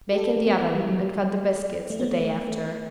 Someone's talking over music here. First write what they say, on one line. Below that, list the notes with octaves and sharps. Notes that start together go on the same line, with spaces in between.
Bake in the oven and cut the biscuits the day after.
G4
A4
A3
B3
A3
G3
F#3
G3
A3
B3
A3
A3
A3